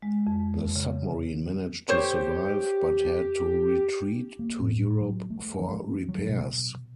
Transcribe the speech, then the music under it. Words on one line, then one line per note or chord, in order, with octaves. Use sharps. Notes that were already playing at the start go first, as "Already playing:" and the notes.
The submarine managed to survive but had to retreat to Europe for repairs.
G#3
F2
C#3
G4 C5 C#5
A#3
A2
F#3
A3
F3
F#3
B2